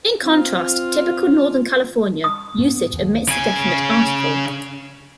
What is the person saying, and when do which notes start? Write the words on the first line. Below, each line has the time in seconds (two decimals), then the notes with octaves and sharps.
In contrast, typical Northern California usage omits the definite article.
0.20 C4 F4
2.24 D#6
2.58 G#2 B3
2.93 D#2
3.28 C#3 G#5